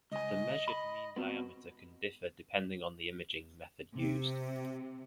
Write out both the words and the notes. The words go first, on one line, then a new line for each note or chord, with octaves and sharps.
The measured mean diameter can differ depending on the imaging method used.
C#2 D#5 G#5
B5
B3 C4 F#4
C3